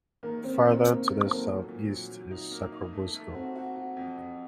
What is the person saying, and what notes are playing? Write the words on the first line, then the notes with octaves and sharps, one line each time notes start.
Farther to the southeast is Sacrobosco.
D#3 A#3
D#3 C4
C4
D#3 A#3
D#3 A#3
D#3
A3
F#3 C4
A#3
A#2
A#2
F#3
F#3
D#4
A#3
D#4
A3
A3
C4 F#4
F#4
F#4
F2
F2